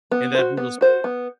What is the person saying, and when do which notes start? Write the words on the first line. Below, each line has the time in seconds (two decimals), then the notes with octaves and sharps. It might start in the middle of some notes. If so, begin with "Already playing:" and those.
in that brutal sport
0.11 B3
0.35 F#4 C5
0.57 B3
0.81 F#4 C5
1.04 B3